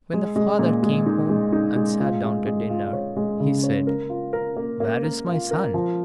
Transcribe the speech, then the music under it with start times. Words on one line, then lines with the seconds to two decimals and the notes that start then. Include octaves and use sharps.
When the father came home, and sat down to dinner, he said, "Where is my son?"
0.13 G#3
0.36 G#3
0.59 A#2
0.83 G#3
1.06 D#4
1.29 G#3
1.52 D#4
1.76 G#3
2.00 F4
2.24 G#3
2.47 G#3
2.70 F4
2.93 C#5
3.17 G#3
3.40 C#3
3.63 C#5
3.87 A#4
4.10 F4
4.33 A#4
4.56 A#3
4.80 A#3
5.03 A#4
5.27 F4
5.51 A#4
5.74 F3